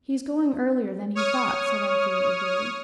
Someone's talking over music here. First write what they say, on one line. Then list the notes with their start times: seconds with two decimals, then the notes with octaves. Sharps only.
'He's going earlier than he thought,' said Anthea eagerly.
1.15 C#5 C#6 D#6 F6